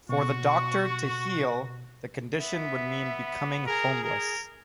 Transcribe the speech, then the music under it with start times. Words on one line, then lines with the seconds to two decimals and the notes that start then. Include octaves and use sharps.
For the doctor to heal the condition would mean becoming homeless.
0.09 B2 F#4 C#6
2.38 B3 E5
3.67 G#4 A#4
4.04 A#4